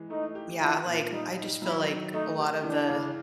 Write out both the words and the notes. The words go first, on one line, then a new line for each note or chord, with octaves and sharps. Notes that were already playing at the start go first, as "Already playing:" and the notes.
yeah, like, I just feel like a lot of the
Already playing: E3 G#3
A3 D#4
G4
F3 E4
A#2
G3 D#4
D#4
F#3 E4
D#3
A3 D#4
G4
E3 D4
C#3